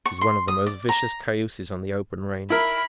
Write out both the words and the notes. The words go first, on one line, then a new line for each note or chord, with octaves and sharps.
He's one of the most vicious cayuses on the open range.
C#6
C6
D#6
D5
A#5
E4 A#4 B5